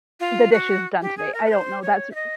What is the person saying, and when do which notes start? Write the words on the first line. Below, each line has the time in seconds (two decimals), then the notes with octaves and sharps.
the dishes done today, I don't know. That's r
0.20 F4
0.53 F#4
1.02 G4
1.17 G#4
1.34 A#4
1.46 B4
1.50 C5
1.82 C#5
2.11 E5
2.15 D#5